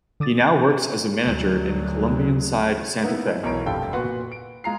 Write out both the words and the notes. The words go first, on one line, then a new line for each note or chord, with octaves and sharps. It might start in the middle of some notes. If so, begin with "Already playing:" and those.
He now works as a manager in Colombian side Santa Fe.
D3 D6 D#6 A6
D2 F#3
A#3 B3 D#4 E4
B1 E2 E3 A#4 C#5 D7
F1 G2 F4 A4 G5
A#2 B3 F#4 B4 F#5 C6
D7
G#3 F4 A#5 C7